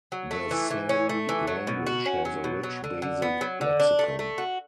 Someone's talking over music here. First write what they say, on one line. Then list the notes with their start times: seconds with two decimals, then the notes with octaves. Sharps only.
The Seri language has a rich basic lexicon.
0.12 F#3
0.31 A3
0.51 E3
0.70 E3
0.89 C#4
1.09 A3
1.29 E3
1.47 F#3
1.67 B2
1.86 F#4
2.06 C#4
2.25 F#3
2.44 B2
2.63 F#3
2.84 D3
3.02 D3
3.22 B3
3.41 F#3
3.61 D3
3.80 D4
3.99 A3
4.19 A3
4.38 F#4